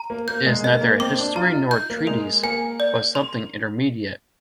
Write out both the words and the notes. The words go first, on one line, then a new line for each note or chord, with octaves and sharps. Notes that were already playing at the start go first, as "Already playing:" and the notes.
It is neither a history nor a treatise, but something intermediate.
Already playing: A#5
A#3
A#3 G6
G#3
A#3 D#5
A#3
C4 D6
D4
F4 A#5
D#4
G6
A#3
G#3 A#4
A#3 G#5
D5
C6